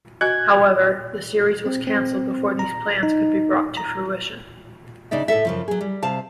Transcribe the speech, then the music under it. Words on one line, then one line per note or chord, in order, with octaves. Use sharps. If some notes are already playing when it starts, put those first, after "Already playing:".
However, the series was cancelled before these plans could be brought to fruition.
F#4 D#5 G#5 F#6 G#6
C4
C4
A#5
D#4
A#5
C#3 D4 D#4 D5 E5
A2 E4 A4 E5
F#2 C#3 F3
F#3 G#4
G3
C3 F5 A5